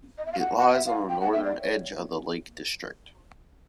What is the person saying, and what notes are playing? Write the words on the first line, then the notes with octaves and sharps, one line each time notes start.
It lies on the northern edge of the Lake District.
D#5
E5
F5
F#5
F#5
E5
F5
G5
F#5
E5
D5
C#5